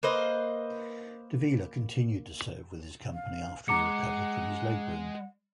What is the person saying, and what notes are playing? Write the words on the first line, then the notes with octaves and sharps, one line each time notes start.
Davila continued to serve with his company after he recovered from his leg wound.
A#3 B4 C5 D#5
F5
G#3 F#5 A#5 D6 C#7